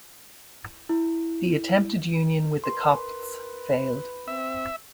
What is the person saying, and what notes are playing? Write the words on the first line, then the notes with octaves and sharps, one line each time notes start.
The attempted union with the Copts failed.
E4
A#4 B4 C6
C4 E5